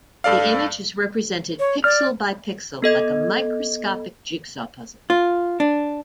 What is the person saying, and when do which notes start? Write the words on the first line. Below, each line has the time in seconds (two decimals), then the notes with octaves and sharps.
The image is represented pixel by pixel, like a microscopic jigsaw puzzle.
0.24 G2 A4 D5 F5
1.59 C#5
1.84 D5 F6
2.82 B3 A4 D#5 G#6
5.10 F4
5.60 D4